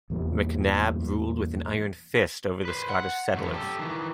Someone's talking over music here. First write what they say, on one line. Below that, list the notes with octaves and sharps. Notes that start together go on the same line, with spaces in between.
McNab ruled with an iron fist over the Scottish settlers.
E2 A#2 G3
B4 C5
F#5
F#2 A3
G4 A4
D#3 E3